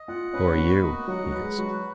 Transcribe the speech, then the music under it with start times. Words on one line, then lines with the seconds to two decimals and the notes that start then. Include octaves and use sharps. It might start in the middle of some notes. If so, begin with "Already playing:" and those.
"Who are you?" he asked.
Already playing: D#5
0.08 F4 F#5
0.33 C#4 B4
0.58 B3 F#4
0.83 A#3 D#5
1.08 F#3 F#5
1.25 F#3
1.33 B4
1.41 G#3
1.58 F#3 F#4